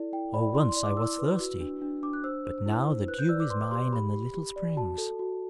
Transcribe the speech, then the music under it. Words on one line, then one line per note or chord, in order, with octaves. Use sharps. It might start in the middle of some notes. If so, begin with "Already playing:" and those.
Oh, once I was thirsty; but now the dew is mine and the little springs.
Already playing: E4 A4 D5
E4 G5
D5 B5
E4 C6
C6
D5
D6
E4 E6
B4
F#4
D4
D4
D4 D6
F#6
C5 E6
C5
E4
C5
B4 F#6
G6
D5 E6
D6
B4 C6
D6
G4 C6
G4 B5
G4
G4
D5
F#4 A5
A4
F#4